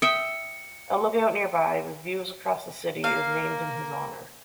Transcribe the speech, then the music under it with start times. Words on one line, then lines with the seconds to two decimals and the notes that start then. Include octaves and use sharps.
A lookout nearby, with views across the city, is named in his honour.
0.02 E5 G5 D#6 C#7
3.04 A#3 F5